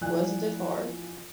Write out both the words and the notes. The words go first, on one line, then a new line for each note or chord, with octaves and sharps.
Wasn't it hard?
A#1 E3 F3 D5 G#5 F#6